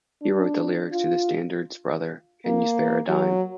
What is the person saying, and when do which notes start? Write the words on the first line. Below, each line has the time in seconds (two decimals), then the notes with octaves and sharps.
He wrote the lyrics to the standards Brother, Can You Spare a Dime?
0.22 D4
0.92 F4
2.46 A#3
3.08 F#3